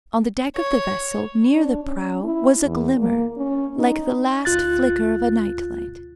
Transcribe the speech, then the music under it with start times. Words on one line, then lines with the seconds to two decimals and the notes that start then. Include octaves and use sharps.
On the deck of the vessel, near the prow, was a glimmer, like the last flicker of a night-light.
0.57 C#5
1.53 D4
1.84 C#4
2.24 E4
2.65 E2
2.98 A#3
3.37 C#4
3.77 D#4
4.45 D2 F4 F#6 A6